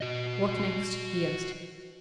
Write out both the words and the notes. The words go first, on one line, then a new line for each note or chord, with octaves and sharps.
"What next?" he asked.
F#4 D#5